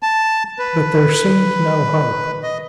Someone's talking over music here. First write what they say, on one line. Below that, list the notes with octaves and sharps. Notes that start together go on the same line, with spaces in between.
But there seemed no hope.
A5
B4
D#5